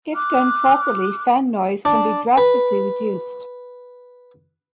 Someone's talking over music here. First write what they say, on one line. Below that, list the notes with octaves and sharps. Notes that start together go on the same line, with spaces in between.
If done properly fan noise can be drastically reduced.
D6 F6 F#6
D4
B4